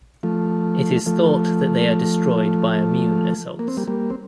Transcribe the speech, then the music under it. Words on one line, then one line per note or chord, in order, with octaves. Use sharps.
It is thought that they are destroyed by immune assaults.
F3 A3
F3 A3
A#3
C4
G3 A#3
G3 A#3
C4